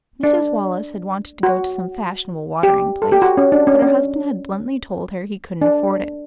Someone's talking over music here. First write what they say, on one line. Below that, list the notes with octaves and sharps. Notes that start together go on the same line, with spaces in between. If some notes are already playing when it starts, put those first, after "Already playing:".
Mrs. Wallace had wanted to go to some fashionable watering place, but her husband had bluntly told her he couldn't afford it.
D4
F#4
G4
A4
G4
F#4
C#4
D4
C#4
C#4
D4